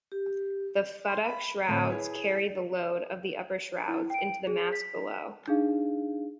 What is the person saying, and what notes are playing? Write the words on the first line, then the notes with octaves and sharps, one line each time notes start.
The futtock shrouds carry the load of the upper shrouds into the mast below.
G4
C6
B5
A2 D3 C4 C#5
E4 G#4 B4 C#5
E4
G5 D7
G#4
B6
D4 D#4 G#4 F5